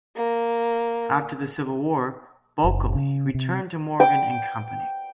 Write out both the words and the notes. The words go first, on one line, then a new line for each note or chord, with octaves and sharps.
After the Civil War, Bulkeley returned to Morgan and Company.
A#3
F#1
C#3
C3
G5 D6